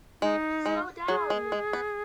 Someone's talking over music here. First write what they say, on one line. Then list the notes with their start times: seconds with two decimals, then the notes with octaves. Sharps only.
Slow down!
0.22 G#3 D#4
0.66 G#3
1.08 F#3 G#4
1.30 G#3
1.52 G#3
1.73 B3